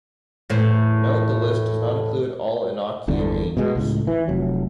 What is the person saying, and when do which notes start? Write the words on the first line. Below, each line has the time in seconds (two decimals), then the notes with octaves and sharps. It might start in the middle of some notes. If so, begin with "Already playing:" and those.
Note the list does not include all Enochian angels.
0.50 E2 A2 C5
3.08 G1 E2 D3
3.57 B2 G#3
3.75 C#2 A2
4.07 E3
4.28 F1 F#3